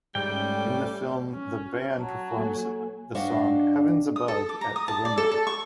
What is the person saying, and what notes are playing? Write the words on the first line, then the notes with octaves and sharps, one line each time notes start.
In the film the band performs the song "Heaven's Above" at the windmill.
G#2 G3 A3 C#4 G5
C#4
F#4
F#3 A5 A#5
A#3 A4 G#5
G2 D4 F#4 D#5 F5
D#6
A4
D6
A#5
D#6
A5
D5
A4
A4
C#6